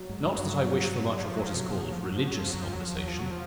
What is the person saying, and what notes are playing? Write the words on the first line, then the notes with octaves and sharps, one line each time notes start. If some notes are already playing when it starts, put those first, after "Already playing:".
Not that I wish for much of what is called religious conversation.
Already playing: F#3
G#2
G#2
G2
F3
F#3
F3
C3 F#3
B2 F3
A#2 F#3
A2 F3
F#3
G#2
F3
G2 F#3
F3
F#2 F#3
F3
F2 F#3
F3
E2 F#3
F3
F#3
F3